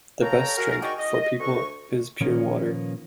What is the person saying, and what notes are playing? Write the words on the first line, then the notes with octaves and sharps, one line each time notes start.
The best drink for people is pure water.
A4 C#5 F5 G5 A#5
F#4 G#4 A#4
D#4 F#4 G#4 D5 G5 C#6
D#5
D2 C#6
A#2 D#3 F3 A#3 B3 C#4